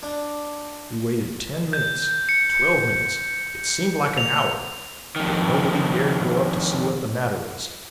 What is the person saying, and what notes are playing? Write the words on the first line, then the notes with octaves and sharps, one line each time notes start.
We waited ten minutes, twelve minutes; it seemed like an hour, but nobody dared go up to see what the matter was.
D4
G6
C#7
F7
F2 D#3